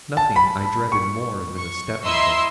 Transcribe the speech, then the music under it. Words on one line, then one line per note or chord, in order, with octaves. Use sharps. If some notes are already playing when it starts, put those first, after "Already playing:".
Nothing I dreaded more than a step-mother.
A5
B5
C#6
C#6
E4 D#5 E5 A#5 C6 E6